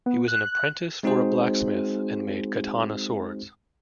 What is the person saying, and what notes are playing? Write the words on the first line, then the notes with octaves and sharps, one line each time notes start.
He was an apprentice for a blacksmith and made katana swords.
B3
F#6
G#3 C4 D#4 F#4 G#4 C5